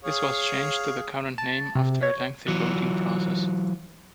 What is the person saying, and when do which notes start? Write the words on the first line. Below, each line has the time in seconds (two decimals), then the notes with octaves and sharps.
This was changed to the current name after a lengthy voting process.
0.04 G#4 C#5 F5
1.38 A5
1.75 C3
2.03 C#5
2.48 E3 F#3